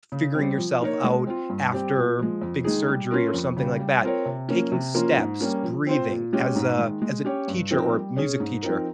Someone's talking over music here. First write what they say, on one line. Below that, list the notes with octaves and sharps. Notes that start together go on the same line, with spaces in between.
figuring yourself out after big surgery or something like that, taking steps, breathing as, uh, as a teacher or music teacher,
C#3
G3 C4
F3
A#3 D#4 A#4 C#5
G#3
C4 F4
G2
G3 C4 G4
A#2
F3 G#3
F2
D#3 G#3 D#4 G#4
G3
C#4 F4 A#4
F2
C#3 G3
G3
C4 F4 A#4 C#5
C3
F3 A#3 C#4
C3
F3 A#3 C#4 F4
G#2
G3 A#3 C#4
F3
C4 F4 C5
A#2
G#3 C#4 G4
G#2
D#3 G#3
G#3
C#4 G4 C#5
G2
F3 C4 D#4 A#4
G3
C#4 G#4 C#5
G#2
F3 C4 D#4 A#4